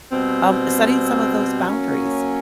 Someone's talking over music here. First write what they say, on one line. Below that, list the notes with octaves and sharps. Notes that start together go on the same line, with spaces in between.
Um, setting some of those boundaries
B2 G3 C4
F#3 A#3 C#4